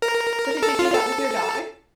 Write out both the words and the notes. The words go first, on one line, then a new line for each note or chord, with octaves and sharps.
So, did you do that with your dog?
A#4
A4
F4
A4